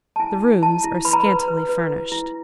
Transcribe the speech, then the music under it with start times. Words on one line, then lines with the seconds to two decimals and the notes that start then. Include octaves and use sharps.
The rooms are scantily furnished.
0.16 A5
0.20 E4 G#5
0.42 E4
0.62 E4 A5
0.84 E4
1.05 B4 B5
1.13 A#5
1.20 B5
1.26 B4
1.48 B4
1.69 B4
1.91 E4
2.12 E4